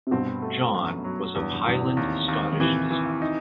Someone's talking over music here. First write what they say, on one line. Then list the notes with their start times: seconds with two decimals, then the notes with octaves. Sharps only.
John was of Highland Scottish descent.
0.07 C3
0.11 G2 B2 C4
0.42 A3
0.74 F#2
1.04 F#3
1.35 E2 G2
1.52 G2
1.67 E2 G2
1.82 A2 C3
1.97 D#2
2.28 D#2
2.53 D#3
2.59 A2 C3 E3
2.91 E3
3.22 D#4